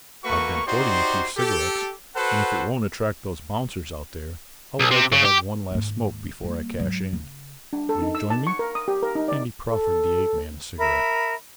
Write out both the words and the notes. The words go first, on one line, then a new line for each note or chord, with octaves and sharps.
"I have been hoarding a few cigarettes and if it won't attract those bouncers out there I would like to have one last smoke before I cash in. Will you join me?" and he proffered the ape-man a cigarette.
A3 A#3 F#4 B4 C#6
D#4 F#4 G4 C5 D5 C6
G4 A4
F#4 A4 B4 C5 F#5
B1
C3
C#3
G4
D#2 G#2
G3 A#3
G#2 F#3
C#3
D4
A4
D#4
E6
A5
C#6
A#4
D#6
G4
A#4
D#4
D5
A4
A#4 E5 B5